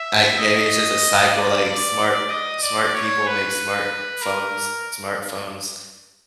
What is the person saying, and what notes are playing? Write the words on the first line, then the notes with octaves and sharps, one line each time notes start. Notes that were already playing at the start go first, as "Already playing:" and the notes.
I maybe it's just a cycle. Like, smart smart people make smart phones. Smartphones
Already playing: E5
D#5
D5
D5
D#5
D5
C#5
B4
A#4